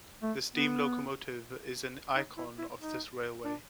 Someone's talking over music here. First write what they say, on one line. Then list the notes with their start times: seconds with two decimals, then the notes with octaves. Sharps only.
The steam locomotive is an icon of this Railway.
0.22 A3
0.54 B3
2.15 D#4
2.37 E4
2.58 E4
2.80 D#4
3.45 D4